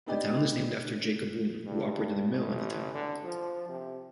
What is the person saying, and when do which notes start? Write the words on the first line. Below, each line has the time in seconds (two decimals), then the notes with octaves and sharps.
The town is named after Jacob Boon who operated a mill in the town.
0.06 B3 D4 D#4 G4 D5
1.66 G2
2.28 A1
2.94 D3
3.24 F3
3.69 C3